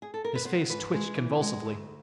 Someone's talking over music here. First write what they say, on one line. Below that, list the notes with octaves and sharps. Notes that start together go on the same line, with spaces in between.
His face twitched convulsively.
G#4
A4
A#4
B4
B3 C5
G#2 B4
G#3
E3
G#3
D2